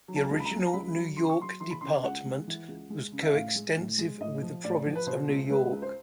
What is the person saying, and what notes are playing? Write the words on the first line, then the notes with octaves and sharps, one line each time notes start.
The original New York Department was coextensive with the Province of New York.
F#3
A5
C#2
B5
A#5
F#3
A#5
C#2 B5
F#3
C#3 C6
C#6
F#3 C6
E3 C6
B5
C#3 C6
C#2 F#5
G#3
E3
C#2
G#3
C#3
E5
A2 F5
G#3
A2
G#3
A2 D#5
F3
A2 D5
F3
B4
B2 C5
C#2
G#3 B4
C#2
C5